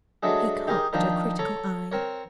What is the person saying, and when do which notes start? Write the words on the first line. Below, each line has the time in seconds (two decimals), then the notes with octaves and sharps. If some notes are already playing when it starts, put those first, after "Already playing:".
He cocked a critical eye.
0.23 F#3 G#3 A3 D4 G#4
0.67 D#4 G4 G#4 A#4 D#5
0.93 D#3 F3 D4 D#4 A#4
1.39 A4 C#5 A#5
1.92 C4 A#4 C#5